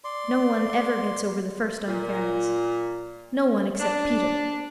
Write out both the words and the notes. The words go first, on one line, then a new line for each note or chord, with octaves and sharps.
No one ever gets over the first unfairness; no one except Peter.
D5 C6
A#2
D4